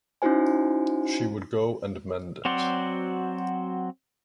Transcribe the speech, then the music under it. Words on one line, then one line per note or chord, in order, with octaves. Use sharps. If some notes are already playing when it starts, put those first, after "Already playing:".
She would go and mend it.
C#4 D#4 E4 F#4 C5 G#5
F#3 C4 F#4 C5 D5